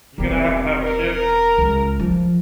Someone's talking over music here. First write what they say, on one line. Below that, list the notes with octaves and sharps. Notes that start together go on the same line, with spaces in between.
You're gonna have to have a ship
E1 G3 A#3 C4
A#4
C#2
F3